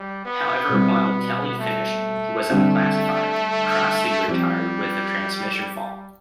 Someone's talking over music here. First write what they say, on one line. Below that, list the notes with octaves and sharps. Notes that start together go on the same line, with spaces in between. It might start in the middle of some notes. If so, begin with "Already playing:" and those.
However, while Kelly finished, he was unclassified; Crossley retired with a transmission fault.
Already playing: G3
B3
B2 G3 C4 E4
A3
D3 G3 C4 E4
F3 G3 C4 G4